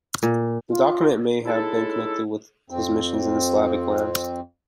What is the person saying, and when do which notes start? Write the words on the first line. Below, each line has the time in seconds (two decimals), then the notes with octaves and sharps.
The document may have been connected with his missions in the Slavic lands.
0.23 A#2
0.69 F4
1.46 G#3 C#4 D#4 E4 A4
2.70 F2 C4